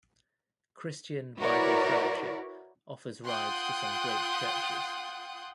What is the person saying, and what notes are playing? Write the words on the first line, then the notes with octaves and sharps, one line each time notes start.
Christian Bible Fellowship offers rides to some great churches.
E4 F#4 A#4 B4 C#5 D5
F4 F#5 G5 C6 D#6 F#6